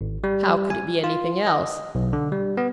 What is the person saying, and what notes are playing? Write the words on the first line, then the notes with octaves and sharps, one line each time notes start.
How could it be anything else!
G#1
G3
G#5
F4
D#5
B1
D3
G3
B3